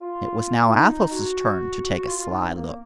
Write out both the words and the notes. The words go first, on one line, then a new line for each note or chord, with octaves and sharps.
It was now Athos's turn to take a sly look.
F4
D#4
F#4
F#4
F#4
F4
F4
D#4
C4
A#3